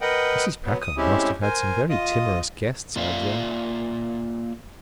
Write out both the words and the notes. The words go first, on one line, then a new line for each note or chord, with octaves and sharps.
"Mrs. Packard must have had some very timorous guests," I observed.
A#4 B4 D#5 F#5 G5
F#3 B3
D#6
A2 G#3 C4 C#4 E4 G4
A#4 C5 G#5
F4 D#5 D#6
A#3 F4 D5 E5 F5